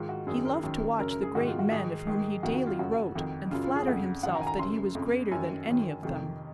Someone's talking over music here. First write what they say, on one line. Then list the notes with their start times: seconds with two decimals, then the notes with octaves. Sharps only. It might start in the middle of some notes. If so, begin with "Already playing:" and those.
He loved to watch the great men of whom he daily wrote, and flatter himself that he was greater than any of them.
Already playing: G#2 D#3 F4
0.09 F#4
0.27 F#2 D#3 G#4
0.45 A#4
0.63 F#2 D#3
0.99 F#2 C#3 A#4
1.11 A#4
1.23 G#4
1.35 G#2 D#3 F#4
1.47 F4
1.59 F#4
1.71 G#2 D#3 G#4
2.07 G#2 D#3
2.43 F2 D#3 F#4
2.55 F#4
2.67 F4
2.79 F#2 C#3 F#4
3.15 F2 D#3
3.51 F#2 C#3 F4
3.63 F4
3.76 G#4
3.87 F2 C#3 F#5
4.23 F#2 D#3 F#5
4.35 A#5
4.41 G#5
4.47 A#5
4.59 F#2 C#3 C6
4.95 F2 C#3
5.31 F#2 D#3 G#5
5.67 F#2 D#3
6.03 F2 C3 D#3